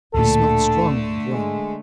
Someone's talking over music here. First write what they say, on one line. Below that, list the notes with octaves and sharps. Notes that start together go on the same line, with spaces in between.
He smelt strongly of rum.
D1 A#2 D3 A3 A4
G#3